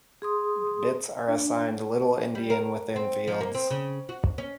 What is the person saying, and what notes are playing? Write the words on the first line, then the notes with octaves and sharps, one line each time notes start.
Bits are assigned little-endian within fields.
G#4 C6 D#6
D4
G3
A#4
C4
F3
A#3
C4
C#3
F#4
C#4